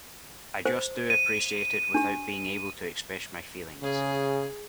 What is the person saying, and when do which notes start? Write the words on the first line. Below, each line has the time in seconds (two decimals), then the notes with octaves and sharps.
I just do appreciate it without being able to express my feelings.
0.66 C5
1.10 D#7
1.94 D4 G4
3.83 C#3 G#4